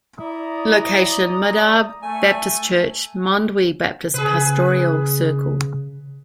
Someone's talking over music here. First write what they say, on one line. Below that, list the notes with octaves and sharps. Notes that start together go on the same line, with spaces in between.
Location: Madhab Baptist Church, Mandwi Baptist Pastoral Circle.
E4 D5 A#5 D#6
A3 G#5
C#3 G#4 B4